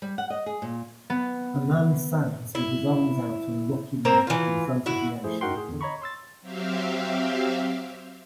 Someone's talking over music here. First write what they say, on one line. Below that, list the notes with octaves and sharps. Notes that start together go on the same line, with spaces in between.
A man sands with his arms out on a rocky ledge in front of the ocean.
G3
F#5
D#5
G#4
A#2
B3
E4
A#3 C4 A#4 A#5
E3 F4
E4 F#4
F3 A3 E4 G#4 C5
D#4 F#4 A#4 F#5 G5 C6
A2 G#4
E2 D3
C#5 D#5 A#5 B5 C#6
C6 E6 A6
F#3 C4 G4 E5 F5